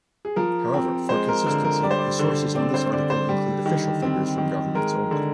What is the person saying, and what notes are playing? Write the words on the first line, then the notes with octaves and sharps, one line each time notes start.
However, for consistency, the sources on this article include official figures from governments only.
G#4
F3 A#4
C4
G#3 C5
A#4
D3 A#4
A#4
G3 D5
C5
D5
D3
C4 D5
C5
D3 D5
C5
G3
D#3
C4
D#3
G#3 A#4
D3